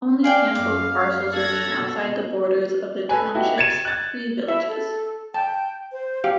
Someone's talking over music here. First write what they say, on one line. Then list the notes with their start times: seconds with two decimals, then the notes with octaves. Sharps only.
Only a handful of parcels remain outside the borders of the township's three villages.
0.24 G#4 D5 F5 G5
0.55 F#2 D6
1.32 A4 F#6 G#6 A#6
1.74 B2
3.09 A4 B4 G#5
3.35 D#4 E4 F#4 G4
3.58 G#6 A6 C#7 D#7 E7
3.85 F#6 G#6 A6
4.48 E4 E5
4.68 A4
5.34 G5 A5
5.92 C5
6.24 G4 F5